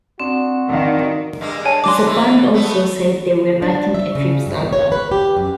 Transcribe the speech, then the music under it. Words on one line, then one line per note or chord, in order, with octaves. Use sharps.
The band also said they were writing a fifth album.
C4 D4 F#4
D#3 D4 F5
G2 G#3 A#3
C#5 G#5 A5
F#3 D4 C6 D6
G#2 E3 E4
A3 B3
D4
E5
C#3
G2
B2
C#5
B4
G4
F#2